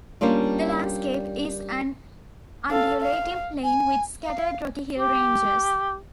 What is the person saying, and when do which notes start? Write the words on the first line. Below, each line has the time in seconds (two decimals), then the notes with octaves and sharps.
The landscape is an undulating plain with scattered rocky hill ranges.
0.21 G3 A#3 C#4 D4 F4
2.71 A4 F5
3.02 F5
3.63 G#5
4.23 F5
4.99 G4